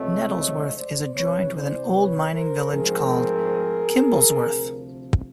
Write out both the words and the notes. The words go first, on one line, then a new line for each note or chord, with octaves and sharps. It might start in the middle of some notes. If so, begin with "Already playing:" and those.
Nettlesworth is adjoined with an old mining village called Kimblesworth.
Already playing: C#2 C3 F3 A3 C4 C#5 D#5
C#5 D#5
C5 D5
C2 C3 E3 B4 C#5
C5 D5
B4 C#5
A#4 C5
G#2 F3 A3 C4 G#4 A#4
D2 C3 F3